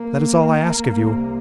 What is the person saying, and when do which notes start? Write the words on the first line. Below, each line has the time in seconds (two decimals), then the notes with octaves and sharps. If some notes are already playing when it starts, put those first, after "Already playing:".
That is all I ask of you.
Already playing: A#3
0.98 C2 C3